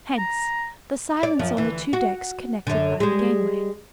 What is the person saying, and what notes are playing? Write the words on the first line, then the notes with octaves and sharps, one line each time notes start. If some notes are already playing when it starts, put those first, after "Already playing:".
Hence the silence on the two decks connected by the gangway.
A#5
D5
F#2 F3
D2 E3
F#4
F#2 D3
G3 G#3